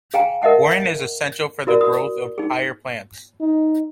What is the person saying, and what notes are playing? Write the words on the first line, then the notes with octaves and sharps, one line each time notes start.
Boron is essential for the growth of higher plants.
G#4 F5 G5 G#5 A#5
A#4 D#5 E5 F#5 A5
E4 F#4 A#4 D5
F#4 D#6
D#4 G#4
D#4